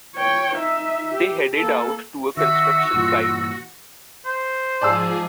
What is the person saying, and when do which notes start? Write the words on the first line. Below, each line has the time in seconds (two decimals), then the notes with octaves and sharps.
They headed out to a construction site.
0.16 C#5 G5
0.56 D#4 E5
1.14 G4
1.55 A#3 A4
2.37 D#3 F#4 E5 E6
2.93 G2 A#2 E3 F4
4.25 C5
4.82 G#2 F3 G#4 D5 A5 E6